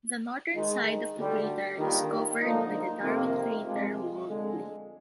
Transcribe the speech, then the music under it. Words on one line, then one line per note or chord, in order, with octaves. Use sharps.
The northern side of the crater is covered by the Darwin Crater walled plain.
D#3 G#3 D#4
D2 D3 G3
D#2 D#3 G3 D4 F4
D3 F3 A#3 D#4
F2 C3 D#3 A#3
C3 F3 G#3
F2 D3 G#3